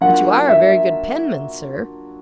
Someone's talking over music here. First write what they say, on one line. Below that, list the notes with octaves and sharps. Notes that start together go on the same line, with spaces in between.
'But you are a very good penman, sir.
F#3 A#3 D4 F4 A#4 F#5
E5